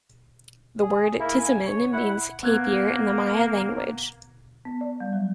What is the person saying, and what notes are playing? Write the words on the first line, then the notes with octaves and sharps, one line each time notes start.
The word "Tizimin" means "tapir" in the Maya language.
G#4
A#3 E4
G#5
C#5
E4 F#5
A#3 B3 F#6 G#6
B3
D5
G3
F#3